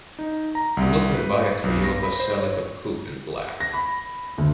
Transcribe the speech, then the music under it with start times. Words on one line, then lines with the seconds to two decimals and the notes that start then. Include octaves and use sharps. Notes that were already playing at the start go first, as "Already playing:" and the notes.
I'm looking to buy a Toyota Celica Coupe in black.
0.19 D#4
0.55 A#5
0.77 C2
1.15 B4
1.63 B1
1.84 A#6
2.03 B5
2.20 C5
2.37 C#5
3.60 A#6
3.74 B5
4.38 D2